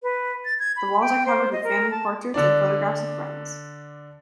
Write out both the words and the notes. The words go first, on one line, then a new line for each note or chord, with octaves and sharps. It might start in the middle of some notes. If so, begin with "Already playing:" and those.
The walls are covered with family portraits and photographs of friends.
B4
A6
G#6
B5
G5
C5
D#5
A#4
A5
D3 D4 D5